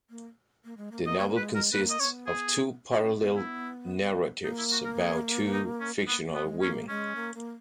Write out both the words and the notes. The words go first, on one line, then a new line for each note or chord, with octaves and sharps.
The novel consists of two parallel narratives about two fictional women.
A#3
A#3
G#3
A#3
A#3 D#5
A#3 C#5
G#3 B4
G#3 A#4
A#3 B3 B4
D#5
C#4 C#5
B3
G#4
C#4
B3
E4
A#3 D#4
E4
F#4
A#4
G#4
D#4
C#4
G#3
A#3 B3
A#3
B3
G#3
A#3 C#4
G#3 C#4
A#3
A#3